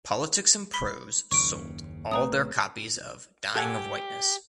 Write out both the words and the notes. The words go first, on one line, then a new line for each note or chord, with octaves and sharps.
Politics and Prose sold all their copies of "Dying of Whiteness".
B5 B6 G7
F#1 D#2 C#3 C#6 D7
A#1 A3 C4 B4 A#5 D#6
G4 A4 F#5 G#5